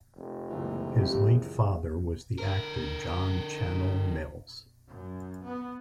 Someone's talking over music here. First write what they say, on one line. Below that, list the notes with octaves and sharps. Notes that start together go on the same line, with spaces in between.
His late father was the actor John Channell Mills.
F1
F#1 C#2 A#2 E3
G3 C4 G4
G#4
D3 A#4
F#2
B3